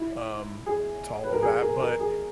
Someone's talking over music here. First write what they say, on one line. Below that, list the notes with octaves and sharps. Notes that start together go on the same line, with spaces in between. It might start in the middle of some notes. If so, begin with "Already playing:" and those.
um, to all of that, but
Already playing: E4
G#4
B4
A#4
G#4
A#4
A#4
G#4